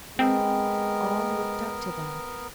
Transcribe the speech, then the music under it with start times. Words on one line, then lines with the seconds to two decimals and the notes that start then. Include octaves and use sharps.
All looked up to them.
0.19 G#3 B3 C4 A#4 G5 A5 B5